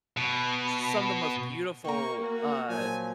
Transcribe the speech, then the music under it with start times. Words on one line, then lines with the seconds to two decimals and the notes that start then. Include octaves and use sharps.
some of the most beautiful, uh
0.17 B2
1.85 A#3 G5 A#5 C#6
2.22 F#4
2.69 A#2 F3 F#3 G#5